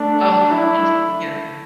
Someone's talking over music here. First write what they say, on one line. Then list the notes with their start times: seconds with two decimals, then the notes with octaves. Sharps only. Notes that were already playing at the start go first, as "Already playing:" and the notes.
Oh, eh, yeah.
Already playing: A3 D4
0.52 E4